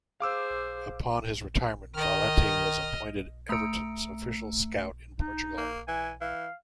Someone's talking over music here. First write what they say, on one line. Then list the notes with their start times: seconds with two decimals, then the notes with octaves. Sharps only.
Upon his retirement, Valente was appointed Everton's official scout in Portugal.
0.20 G#4 C5 F5 D6 E6
1.95 D#3 D#5 F6
3.49 A3 A#5 E6 C#7 D7
5.20 D#4
5.58 A#3
5.88 E3 G#5
6.21 E3 F5